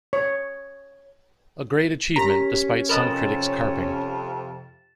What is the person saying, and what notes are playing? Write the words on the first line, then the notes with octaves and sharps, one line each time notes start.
A great achievement, despite some critics' carping.
C#5
C#4 G4 A#4 A#5 A#6 B6
F2 C3 A#4 B4 D#5 A6 E7